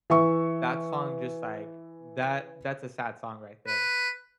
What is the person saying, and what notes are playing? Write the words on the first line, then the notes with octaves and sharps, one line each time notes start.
That song just, like that that's a sad song right there
E3 E5 C#6
B4